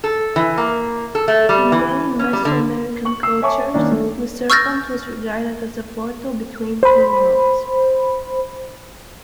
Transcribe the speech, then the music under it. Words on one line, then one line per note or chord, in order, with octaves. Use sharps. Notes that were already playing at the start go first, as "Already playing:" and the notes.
In many Meso-American cultures, the serpent was regarded as a portal between two worlds.
A4
E3
A#3
A4
A3
G3
E3
C#4
G3
D3
C#6 F#7
E6 C7
C#5 E5 G#5 A5 C#6 D6
D#3 A#3 C#4 D4
A3
C#6 E6 F6 G6 A6 A#6
C5 B5